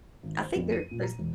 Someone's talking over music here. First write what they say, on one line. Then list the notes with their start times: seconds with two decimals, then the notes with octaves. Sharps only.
I think there those
0.23 G#1
0.40 C5
0.56 F2
0.72 D#7
0.91 A#2
1.03 A#5
1.18 E1